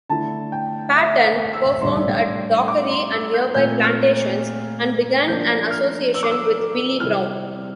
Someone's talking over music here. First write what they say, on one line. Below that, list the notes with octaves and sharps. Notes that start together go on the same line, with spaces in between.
Patton performed at Dockery and nearby plantations and began an association with Willie Brown.
D3 A3 E4 A5
G5
E5
F5
E6
A2 G3 D4 C6
D6
C6
E6
G6
A#2 A3 C4 G6
F6
F3 A#3 D4 G6
F6
E6
D6
E6
C3 G3 C4 E4 F6